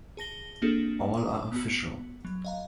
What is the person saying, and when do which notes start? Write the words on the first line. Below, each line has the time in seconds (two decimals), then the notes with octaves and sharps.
All are official.
0.17 G#4 A5 A#6 G7
0.62 A#3 C4 D4 F#4 G#4 A4
1.17 A#5
1.52 B3 F#4
2.25 F#3
2.45 D#5 F5 A#5